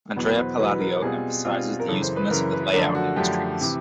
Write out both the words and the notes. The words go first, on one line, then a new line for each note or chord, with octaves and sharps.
Andrea Palladio emphasises the usefulness of the lay-out in his treatise.
E2 B2 F#3 B3
B4
C5
E2 B2 F#3 B3 B4
A#4
B2 G3 C4 F4 G#4
B2 G3 C4 F4
A#4
F#2 C#3 E3 A4
C5
B4
F#2 C#3 E3 A#4
B4
F#2 D3 F3 A3 D4 A#4
F#4
F#2 D3 F3 A3 D4 G4
C3 E3